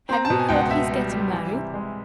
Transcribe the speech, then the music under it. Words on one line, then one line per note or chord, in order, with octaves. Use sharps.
Have you heard he is getting married?
C4 A#5
A5
B2
G#5
C#2 G5
F#5
B2 E5
G3
G3
E3
C3
G#3